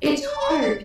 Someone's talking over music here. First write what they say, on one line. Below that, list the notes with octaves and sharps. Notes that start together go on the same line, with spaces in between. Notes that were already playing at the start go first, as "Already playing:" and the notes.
It's hard,
C#5
D5
C#5
D5
D5